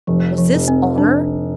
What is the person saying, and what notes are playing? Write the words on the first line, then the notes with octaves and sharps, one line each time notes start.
Was this honor?
F1 F3
F3
F1
C4
D4